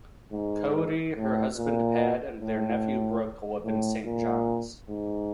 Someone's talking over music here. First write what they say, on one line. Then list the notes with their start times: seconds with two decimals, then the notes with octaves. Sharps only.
Coady, her husband Pat and their nephew Brook live in Saint John's.
0.33 G#2
1.16 A2
1.57 A#2
2.40 A2
3.64 A2
4.05 A#2
4.89 G#2